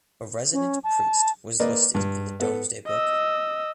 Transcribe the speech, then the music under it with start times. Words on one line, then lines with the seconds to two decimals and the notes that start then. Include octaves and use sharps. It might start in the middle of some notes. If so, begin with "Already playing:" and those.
A resident priest was listed in the Domesday book.
0.53 C#4
0.84 A5
1.60 A#3 B4 D5 D#5
1.94 G2
2.40 B3 A4
2.87 D#5 E6